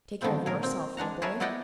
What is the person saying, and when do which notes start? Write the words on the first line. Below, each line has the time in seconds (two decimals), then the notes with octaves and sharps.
Take care of yourself, old boy.
0.22 D3 D#3 F3 B3 C4
0.46 A#2 G#4 A#4
0.63 C4
0.97 G#3 D4 F#5 A#5
1.22 G#4 A#4 B4 C#5 E5 A5
1.40 B3 E4 D5 D#5 F#5 G5